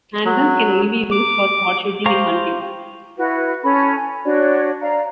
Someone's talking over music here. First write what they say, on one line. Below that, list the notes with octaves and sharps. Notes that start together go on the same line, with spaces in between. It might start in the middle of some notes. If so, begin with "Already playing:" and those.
Handguns can only be used for sport-shooting and hunting.
F#3
D6
G4 C5 F5 A#5 C#6
E4 F#4 B4
C#4 A4 B5
G#5
D4 F#4 C#5 D5
D5 F5 A#5